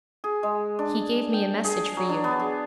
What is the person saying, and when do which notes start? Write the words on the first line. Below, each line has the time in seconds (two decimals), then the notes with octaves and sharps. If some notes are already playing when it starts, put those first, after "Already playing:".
He gave me a message for you.'
0.24 G#4
0.43 G#3
0.79 D4
1.34 G5
1.65 G#4
1.97 F#3
2.09 D4
2.24 B3
2.40 G#4